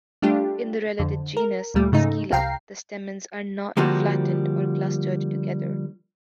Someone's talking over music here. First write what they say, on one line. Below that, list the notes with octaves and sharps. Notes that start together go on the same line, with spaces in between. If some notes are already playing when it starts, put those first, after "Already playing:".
In the related genus "Scilla", the stamens are not flattened or clustered together.
G3 A3 D4 F4 G4
F2 D3
A#4
D2 A#2 G3 A3
G#2 C#3 A3 D#4
C2 F5 G5 A#5 C7
D3 F3 G3 A#3 F#4